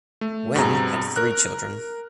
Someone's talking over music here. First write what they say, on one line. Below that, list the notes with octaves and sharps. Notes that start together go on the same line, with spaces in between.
Wen had three children.
A3
G2 B2 C4 G#4 A#5
A#4 F#6